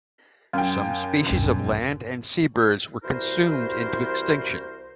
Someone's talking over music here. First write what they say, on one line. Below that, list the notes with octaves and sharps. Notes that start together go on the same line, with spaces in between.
Some species of land and sea birds were consumed into extinction.
F#2 F5 G5
B1 E2 G2
C2 E3 E4 F#4 A#4 C5